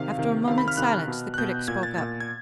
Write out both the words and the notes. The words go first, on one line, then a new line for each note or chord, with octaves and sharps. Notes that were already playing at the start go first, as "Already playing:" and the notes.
After a moment's silence the Critic spoke up.
Already playing: C3 D#3 F5
C3 D#3
C3 D#3 F5
B5
F6
C3 D#3 F#6
B2
F#6
B2 G6
A#2 G#6
A6
A#2 A6
G#6